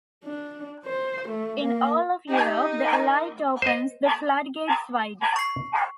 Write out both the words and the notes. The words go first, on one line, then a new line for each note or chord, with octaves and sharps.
In all of Europe the elite opens the floodgates wide.
D4
C5
A3
A#3
D#4 G4
A#4
C5 D#5
C#6 C7